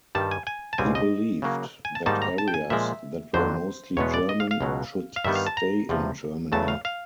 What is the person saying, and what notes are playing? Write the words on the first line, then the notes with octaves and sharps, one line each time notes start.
He believed that areas that were mostly German should stay in Germany.
G2 D#3 G3 A5
G#5
G#5
A5
C#2 B2 G3 C4 G#5
D#5
C#3 F#3 A#3
G#5
A5
G#2 D#3 G3 A#3 D#4 A5
A#5
A5
G5
G#5
A#2 F3 G#3 E5
F2 D3 F#3 C5
E2 B2 G#3 B3 C#5
D5
D#5
F5
F5
C#2 B2 F#3
F5
G2 D#3 G3 B3 E5
F5
A5
A#5
E2 C3 F3
E2 C#3 F#3 A3 A5
F5
F5